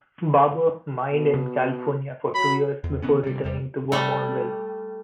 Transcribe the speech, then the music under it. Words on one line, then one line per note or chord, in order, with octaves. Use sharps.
Barber mined in California for two years before returning to Vermontville.
B2
F#3 B5
E2
D3 D#3 B3 C#4
C3 G3
E1 E2 G3
G3 A3